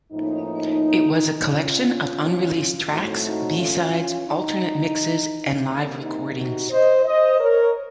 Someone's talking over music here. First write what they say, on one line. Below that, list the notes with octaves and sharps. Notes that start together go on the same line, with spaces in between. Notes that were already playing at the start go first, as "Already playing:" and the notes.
It was a collection of unreleased tracks, b-sides, alternate mixes, and live recordings.
A2 F3 A#3 C#4 D#4
C#4 F4
A2 A3 C4 D#4 F#4
D#4 F#4
C#4 F4
D#4
C3 D#3 A#3 C#4
D#4
D#4 F#4
C5 D#5
C5 D#5
A#4 C#5